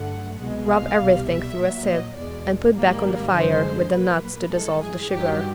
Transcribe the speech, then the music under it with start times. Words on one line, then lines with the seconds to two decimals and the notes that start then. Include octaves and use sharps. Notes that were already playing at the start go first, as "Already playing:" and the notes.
Rub everything through a sieve and put back on the fire with the nuts to dissolve the sugar.
Already playing: G2 D3 F#3 A3 F#5
0.40 C2 B2 G#3
0.69 F5
0.98 C2 B2 G3
1.28 E5
1.58 A#1 A#2 F#3
1.87 D#5
2.16 E2 B2 G#3 D5
2.76 G#1 G#2 D#3 G3 A#3
3.34 F#2 D3 F3 G#3 C5
3.93 A#1 A#2 F#3 A#3 B4
4.52 G2 E3 G#3 A4
4.82 G#4
5.11 G2 D#3 F#3 G4